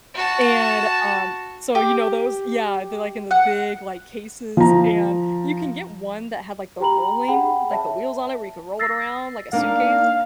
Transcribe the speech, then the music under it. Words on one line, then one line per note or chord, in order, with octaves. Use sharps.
and, um so you know those? Yeah, they're, like, in the big, like, cases and you can get one that had, like, the rolling like the wheels on it where you could roll it around like a suitcase?
F#4 A5
G4
F#5
F3 A#5
G4 G5 A#5 B5 F#7
G#4 F#5 G5 B5
C#5 E5 A5
E6 A6 A#6 C7
A#3 D4 D#4 F5